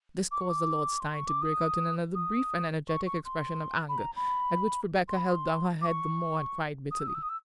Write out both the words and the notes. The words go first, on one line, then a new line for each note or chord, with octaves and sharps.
This caused the Lord Steyne to break out in another brief and energetic expression of anger, at which Rebecca held down her head the more and cried bitterly.
D6
C#6
D6
C6
C#6
D6
D#6
D#6
C#6
C#6
C6
B5
A#5
B5
C6
B5
C6
D6
C#6
D#6
E6
D#6
E6
D#6
E6